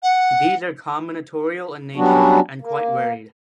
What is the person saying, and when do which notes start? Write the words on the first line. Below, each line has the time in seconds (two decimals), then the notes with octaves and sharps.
These are combinatorial in nature, and quite varied.
0.03 F#5
1.96 F#3 G3 B3 C#4 D4 F#4
2.61 A#3